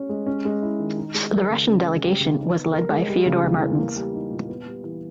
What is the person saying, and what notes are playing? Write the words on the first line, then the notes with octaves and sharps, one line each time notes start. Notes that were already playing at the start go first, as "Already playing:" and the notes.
The Russian delegation was led by Fyodor Martens.
Already playing: C#4 C#5
G#3
C#4
G#3
E4
D#3
D#4
G#3
A#4
C#3
C#4
G#3
G4
C#3
D#4
B3
A#4
G#3
G3
C#3
E2
E2
A#3
G3
D#4
A#2
B3
G3
E3